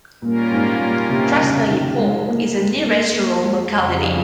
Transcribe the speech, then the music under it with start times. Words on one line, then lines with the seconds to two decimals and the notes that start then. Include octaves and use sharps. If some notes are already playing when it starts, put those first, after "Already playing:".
Krasnoye Pole is the nearest rural locality.
0.22 A#2 G3 A#3 C#4 F4 A#4
0.51 G#2
0.80 A#2
1.09 C3
1.39 C#3
1.68 D#3
1.98 G#3
2.28 A#3
2.56 G#3
2.86 A#3
3.15 A#3
3.44 G#3
3.73 F2 C#3 G3